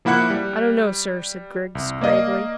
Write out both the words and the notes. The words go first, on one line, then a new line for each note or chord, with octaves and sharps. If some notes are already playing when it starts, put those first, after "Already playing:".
"I don't know, sir," said Griggs gravely.
F3 A#3 E4 F#5 F#6 C#7
G3
C2
A#3 D5 D#5 F5